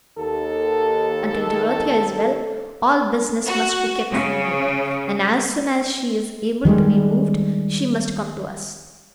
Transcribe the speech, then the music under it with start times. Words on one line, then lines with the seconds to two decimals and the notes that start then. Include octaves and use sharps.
Until Dorothea is well, all business must be kept from her, and as soon as she is able to be moved she must come to us.
0.17 D#2 A4
3.46 F#4
4.11 C#3
6.65 D#3 E3 G3 G#3